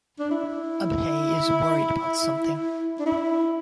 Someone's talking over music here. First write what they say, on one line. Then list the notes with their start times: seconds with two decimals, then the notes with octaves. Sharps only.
Abhay is worried about something.
0.19 D4
0.31 E4
2.99 D4
3.06 E4